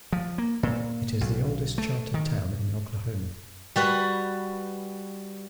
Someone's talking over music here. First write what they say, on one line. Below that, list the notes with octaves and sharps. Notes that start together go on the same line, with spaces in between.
It is the oldest chartered town in Oklahoma.
F3
A#3
A#2
B1
A3
D#3
G3 F#4 B4